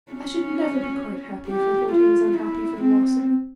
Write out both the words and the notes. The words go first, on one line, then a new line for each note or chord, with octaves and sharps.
I should never be quite happy if I thought he was unhappy for the loss of me.
C#4
G4
F4
E4
C4